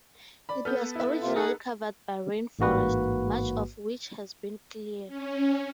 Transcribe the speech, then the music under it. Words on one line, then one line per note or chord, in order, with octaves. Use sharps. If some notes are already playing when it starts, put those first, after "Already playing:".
It was originally covered by rainforest, much of which has been cleared.
D5 B5
B3 A4 B4 F6 G6
E4 E5
C3 F4
D#4 G#4 A#4 F#5
A1 G#2 A#3 F#4 B4
C#4